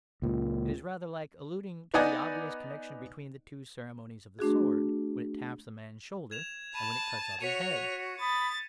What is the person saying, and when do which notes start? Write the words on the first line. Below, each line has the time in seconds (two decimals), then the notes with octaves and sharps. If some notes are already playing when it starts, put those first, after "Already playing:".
It is rather like alluding to the obvious connection between the two ceremonies of the sword: when it taps a man's shoulder, and when it cuts off his head.
0.22 C#2 A#2
1.94 B3 D#4 D5 D#5 F#5 G#5
4.39 A3 D4 F#4 G#4
6.31 G#6 E7 F7
6.75 A5 B5 D#7
7.41 F#4 C#5 B6 C#7 D#7 F7
8.20 B5 D#6 A6